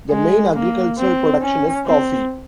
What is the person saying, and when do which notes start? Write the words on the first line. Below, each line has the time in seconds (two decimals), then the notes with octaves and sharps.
The main agricultural production is coffee.
0.10 G#3
0.54 A#3
0.98 C4
1.42 C#4
1.86 C4